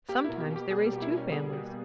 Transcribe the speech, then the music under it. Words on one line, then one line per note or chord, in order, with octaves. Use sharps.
Sometimes they raise two families.
A#3 G4
E4
B2
G4
B2
G4
G3 G#4
G4
B2
E4
B2
C#4
G3 G#4
B2